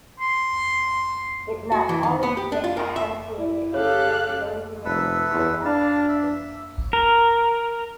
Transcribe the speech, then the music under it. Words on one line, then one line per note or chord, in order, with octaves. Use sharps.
It not only became associated with laziness, but also with danger.
C6
F#4
E3
D#3
B3
G4
D4
F4
A#4
E5
E4
C#3 G4 A4 C#5 F5 F#6
F1 A4 B4 E5
E2
D4 F5 A5
E5
A#4